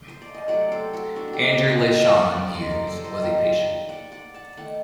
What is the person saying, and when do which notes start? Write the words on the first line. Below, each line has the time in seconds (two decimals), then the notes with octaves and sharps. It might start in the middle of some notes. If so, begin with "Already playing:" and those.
Andrew Leyshon-Hughes was a patient.
0.08 C5
0.22 D5
0.34 D#5
0.48 C3 F#3 A3 D5 F#5
0.72 A4 C5
0.93 F#4 A4
1.16 D4 F#4
1.28 F#4
1.33 D#4 G4
1.51 C5 D#5
1.68 C5 D#5
1.84 C3 D#3 G3 C5 D#5
2.02 A#4 D5
2.19 D5 F#5
2.36 D5 F#5
2.53 C5 D#5
2.70 A#4 D5
2.87 A4 C5
3.04 C5 D#5
3.22 D#3 G3 A#3
3.89 D5 F#5
4.12 D5 F#5
4.34 F#5 A5
4.57 D#3 A3 F#5 A5